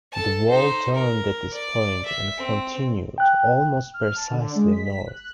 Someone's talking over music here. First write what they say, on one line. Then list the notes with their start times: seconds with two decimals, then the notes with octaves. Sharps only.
The wall turned at this point and continued almost precisely north.
0.12 A4 A5
0.50 D#4 C5
0.94 A#4
1.54 D5
2.05 E5
2.37 C4
3.18 G5 F#6
3.94 F6
4.16 A5
4.31 D3
4.55 G#3
4.72 B6
5.07 F#6